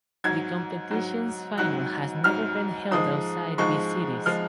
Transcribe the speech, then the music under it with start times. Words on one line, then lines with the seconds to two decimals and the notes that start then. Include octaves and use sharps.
The competition's final has never been held outside these cities.
0.24 G#2 F#3 G#6
0.91 G#2 F#3
1.58 G#2 F#3 F#6
2.24 G#2 F#3 F6
2.91 G#2 F3 G#3 D#6
3.58 G#2 F3 G#3 C#6
4.26 F3 G#3 F6